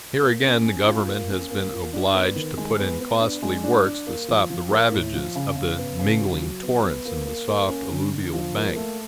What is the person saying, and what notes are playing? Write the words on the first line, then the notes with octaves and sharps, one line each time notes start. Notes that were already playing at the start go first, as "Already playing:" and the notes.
Here again the government has been obliged to put in costly works to stop the ravages of the mingling torrents in the soft alluvial banks.
A#3
C#4
C#4
F4
A#3
C#4
A#3
F4
D4
B3
D#3
G#3
B3
B3
D4
G#3
D4
D4
A#3
F3
F3
A#3
A2
F3
C#3
C#3
B3
C#3
F#3
F#3
B3
B3
A#3
A#3
A#3
C#4
D3
D3
F3
A#3
A3